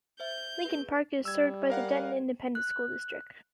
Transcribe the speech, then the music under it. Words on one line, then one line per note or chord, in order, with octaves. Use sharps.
Lincoln Park is served by the Denton Independent School District.
C5 E5 G6
G#4 B4
G3 E6 G#6
A#4 F5 F#5
F#6